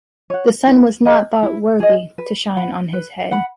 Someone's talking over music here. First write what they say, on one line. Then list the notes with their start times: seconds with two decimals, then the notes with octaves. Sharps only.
The sun is not thought worthy to shine on his head.
0.30 C#5 F#5
0.67 E4
1.05 G#4 D#5
1.43 E4
1.80 G#4 D#5
2.18 B4
2.57 F#5 B5
2.93 B4
3.31 F#5 B5